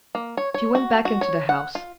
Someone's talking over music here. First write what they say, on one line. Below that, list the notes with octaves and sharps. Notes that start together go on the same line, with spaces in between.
She went back into the house.
A#3
C#5
C#5
F#4
F#4
C#5
F#5
F4